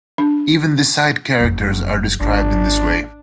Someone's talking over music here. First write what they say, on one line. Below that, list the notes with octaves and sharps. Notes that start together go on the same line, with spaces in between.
Even the side characters are described in this way.
D4
F#1 F2
G#1 D3 D4